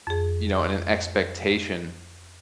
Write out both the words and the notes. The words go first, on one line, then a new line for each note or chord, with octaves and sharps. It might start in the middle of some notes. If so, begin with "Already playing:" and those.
you know, and an expectation,
F2 G#4